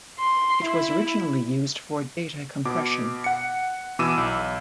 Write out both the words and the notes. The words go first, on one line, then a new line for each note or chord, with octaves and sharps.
It was originally used for data compression.
C6
E4
B2 D6
F#5 C#7
B2 E3 D6 E6 D#7 E7
B1